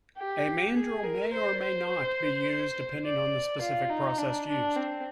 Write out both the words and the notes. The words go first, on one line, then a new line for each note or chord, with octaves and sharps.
A mandrel may or may not be used depending on the specific process used.
G4
G#4
A#4
C5
C5
D5
F4
D#4
D4
D4
C4